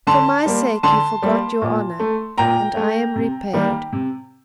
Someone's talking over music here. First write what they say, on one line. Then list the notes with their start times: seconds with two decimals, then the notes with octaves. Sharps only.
For my sake you forgot your honour, and I am repaid.
0.07 D3 A5 C6
0.46 G3 A#3
0.83 D3 A5 C6
1.22 G3 A#3
1.62 A#2
1.99 A3
2.38 A#2 G5 A#5
2.76 A3
3.16 C3
3.53 D#3 G3 A#3
3.92 C3